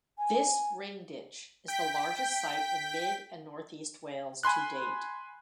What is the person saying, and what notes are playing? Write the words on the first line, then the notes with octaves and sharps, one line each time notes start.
This ring ditch is the largest site in mid and northeast Wales to date.
G#5
G5 B6
G#5 B5 C6 F#6